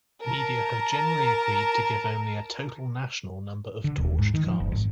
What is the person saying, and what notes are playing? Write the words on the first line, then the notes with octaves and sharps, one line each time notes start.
Media have generally agreed to give only a total national number of torched cars.
A#4 A5 A#5
D3
D#1
G#2
D#3
F3
F#1
G#1